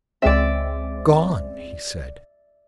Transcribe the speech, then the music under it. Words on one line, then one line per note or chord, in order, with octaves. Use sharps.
"Gone!" he said.
C#2 G#3 C4 D5 E5